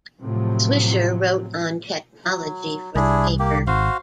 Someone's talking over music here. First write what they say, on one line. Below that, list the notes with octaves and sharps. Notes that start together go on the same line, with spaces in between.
Swisher wrote on technology for the paper.
A2 C3 F3 F#3
F#3
C2 D4 E4 G#4
A#3 G4
G#1 F#4 C5 F5